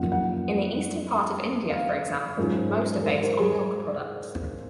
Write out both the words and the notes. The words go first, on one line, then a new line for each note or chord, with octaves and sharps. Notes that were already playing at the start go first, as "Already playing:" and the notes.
In the eastern part of India, for example, most are based on milk products.
Already playing: F#2 F3 A#3 F4 F#5
F#5
F5
G#2 F#3 C#4 F4
A#4
C5
A#4
G#4